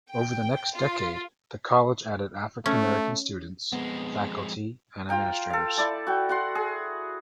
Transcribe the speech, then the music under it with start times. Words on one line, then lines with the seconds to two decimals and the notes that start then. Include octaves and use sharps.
Over the next decade, the college added African-American students, faculty and administrators.
0.10 G5
0.74 F4
2.66 A3 C#4
3.72 F2 G#3 B3
5.09 F4 F5 G5 A#5
5.50 A4 F5
5.77 E4 D5 A5
6.07 F#4 G5
6.29 F#4 F#5 C6
6.55 G#4